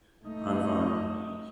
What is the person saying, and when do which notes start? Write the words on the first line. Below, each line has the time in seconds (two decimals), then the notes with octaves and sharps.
I’m fine.
0.24 A3 D#4